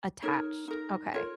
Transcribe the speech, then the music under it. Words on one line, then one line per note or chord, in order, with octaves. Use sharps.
Attached, okay.
D#4 A#4 C#5
D#4 A#4
F4 A#4 C#5